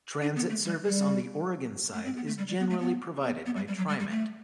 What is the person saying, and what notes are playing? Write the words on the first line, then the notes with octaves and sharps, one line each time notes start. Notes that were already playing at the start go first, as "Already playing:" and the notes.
Transit service on the Oregon side is generally provided by TriMet.
D4
B3
A3
G3
G3
A3
C4
B3
A3
G3
G3
B3
A3
B3
B3
B3
G3
G3
F#3
G3
G3
A3